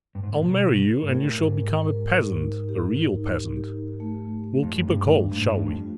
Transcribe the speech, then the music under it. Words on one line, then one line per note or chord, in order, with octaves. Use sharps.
I'll marry you, and you shall become a peasant, a real peasant; we'll keep a colt, shall we?
G2
G#2
A2
A#2
B2 G4
A#4
G#2
A2
G#2 A#4
A#4
D#4
G4
D#4
G4
A3
A3
F2
F#2
G2 D4
G2 A3
G#2
G2
F2
F4